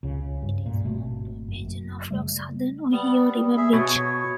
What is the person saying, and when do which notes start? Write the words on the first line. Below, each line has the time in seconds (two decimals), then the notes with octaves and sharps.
It is home to a major Norfolk Southern Ohio River Bridge.
0.03 C#2 C#3
0.42 G2
0.66 G2 A#2
0.84 G#1 B2 A3
1.48 F#1 F#2
2.11 C#3 G3 A3
2.92 G3 B3
3.57 G#4 E5
3.73 B2 C#5